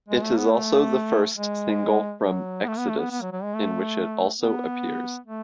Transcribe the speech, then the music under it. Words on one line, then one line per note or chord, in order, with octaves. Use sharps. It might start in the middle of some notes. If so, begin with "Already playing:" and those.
It is also the first single from "Exodus", in which it also appears.
G#3
A3
B3
A3
G#3
F#3
B3
A3
B3
A3
B3
B3
F#3
F#3
G#3
A3
B3
A3